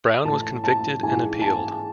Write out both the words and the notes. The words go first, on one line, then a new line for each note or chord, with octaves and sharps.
Brown was convicted and appealed.
A2 E3 A5
A5
G#2 E3 G#5
A5